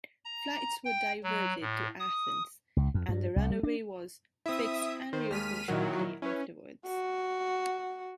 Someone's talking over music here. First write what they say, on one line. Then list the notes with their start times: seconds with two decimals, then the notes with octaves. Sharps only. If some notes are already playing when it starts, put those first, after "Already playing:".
Flights were diverted to Athens and the runway was fixed and reopened shortly afterwards.
0.25 A#5
0.85 G5
1.23 F#3
1.61 A2
2.00 D#6
2.77 C#2
2.94 F2
3.09 G2
3.36 C2
3.51 G3
3.63 D4
4.46 C4 E4 E5 D#6
5.13 D#3 C5
5.31 D#2 G#3 F6 B6 D#7
5.68 A#2 D#3 F#3 E4 A#4
6.22 C#4 E4 B4
6.86 F#4